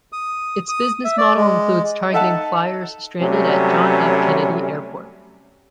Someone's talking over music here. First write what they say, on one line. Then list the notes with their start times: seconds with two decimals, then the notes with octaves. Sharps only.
Its business model includes targeting flyers stranded at John F. Kennedy Airport.
0.13 D#6
0.69 D#6
1.05 E5
1.18 D5
1.36 G#3
2.13 D#4 A4 E5 F#5 A5
3.21 C3 F#3 G3 A3 C#4